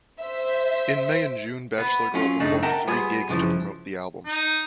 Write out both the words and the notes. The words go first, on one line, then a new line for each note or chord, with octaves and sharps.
In May and June, Bachelor Girl performed three gigs to promote the album.
C5 E5 B6
B3 B4
F#3 C#4 F4
F#2 C#3 A3 D4 D#4
A#4 E5 F#5 G5 A5 A#5
G3 B3 F4 G#4
C2 F#2 C#3 E3 F3
D#4